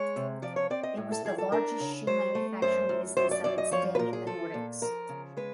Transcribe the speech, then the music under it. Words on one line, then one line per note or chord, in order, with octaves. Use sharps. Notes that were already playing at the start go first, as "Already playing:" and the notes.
It was the largest shoe manufacturing business of its day in the Nordics.
Already playing: G#3 C#5
C3
F3 D5
C#5
C4 D5
D#5
A2
A4
F3 G#4
A4
D4 A#4
C#3
F#3 C5
A3
F#2 C5
F#2
F#2 C5
D5
F#2 D5
D#5
F3 C#5
B4
A#2 A#4
G#4
F3 A4
A#2
F3 A#4
C#3
G#3 B4